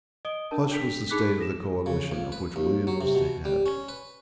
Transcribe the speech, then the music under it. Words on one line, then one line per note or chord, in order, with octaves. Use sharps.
Such was the state of the coalition of which William was the head.
D#5 D#6 D7 G7
D4 A#4 A5
D4 A4 B6 F7
D#4 G#4 B5 D6 F#6 B6
A4 A#6 E7
C#3
F2
B4
D#2
F#3
C3
B2
G3
C#4
B4